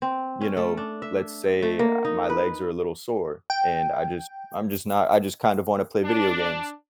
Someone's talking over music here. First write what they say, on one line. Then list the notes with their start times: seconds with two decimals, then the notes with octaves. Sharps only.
you know, let's say I my legs are a little sore, and I just I'm just not I just kind of wanna play video games.
0.02 C4
0.41 C#4
0.57 A3
0.77 D4
1.02 E5
1.63 A3
1.79 A#3
2.05 D#4
2.30 B4
3.50 G5
6.03 D4